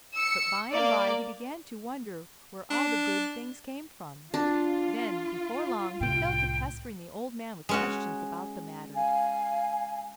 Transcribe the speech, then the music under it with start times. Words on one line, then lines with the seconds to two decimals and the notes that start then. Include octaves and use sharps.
But by-and-by he began to wonder where all the good things came from. Then, before long, he fell to pestering the old man with questions about the matter.
0.15 E6 C#7
0.70 A#3 D5
2.71 D4
4.34 D4 F4
6.01 C2 A2 G5
7.69 G#3 C#4 F#4
8.96 F5 G#5